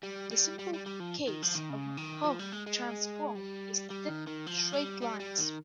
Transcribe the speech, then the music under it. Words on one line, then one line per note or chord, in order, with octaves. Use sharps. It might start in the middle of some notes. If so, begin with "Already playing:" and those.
The simplest case of Hough transform is detecting straight lines.
G3
G3
G3
G3
G3
F3
D#3
F3
D#3
C#3
D#3
F3
G3
G#3
G#3
G3
G3
D#3
D#3
F3
G3
G3
G3
D#3